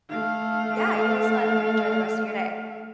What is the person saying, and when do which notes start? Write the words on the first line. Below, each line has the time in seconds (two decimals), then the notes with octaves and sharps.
Yeah, you as well. I hope you enjoy the rest of your day.
0.10 A3 F5